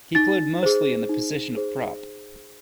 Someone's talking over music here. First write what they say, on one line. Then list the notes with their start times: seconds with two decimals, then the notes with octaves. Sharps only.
He played mostly in the position of prop.
0.15 D#4 A6
0.63 G#4 C5
1.09 D#4
1.56 G#4 C5